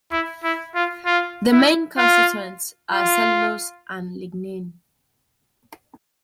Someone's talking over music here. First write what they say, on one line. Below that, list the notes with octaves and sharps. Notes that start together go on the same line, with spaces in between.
Their main constituents are cellulose and lignin.
E4
E4
F4
F4
E4
F4
F4